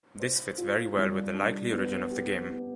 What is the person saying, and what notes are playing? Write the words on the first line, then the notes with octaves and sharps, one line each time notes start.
This fits very well with the likely origin of the game.
C5
F4
G3
D4
B3
G4
B3